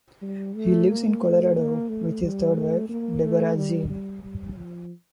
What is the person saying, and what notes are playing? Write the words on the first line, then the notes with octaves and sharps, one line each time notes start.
He lives in Colorado with his third wife, Deborah Jean.
G3
A3
A#3
A3
A#3
A3
G3
A3
A#3
A3
G3
G3
G3
F3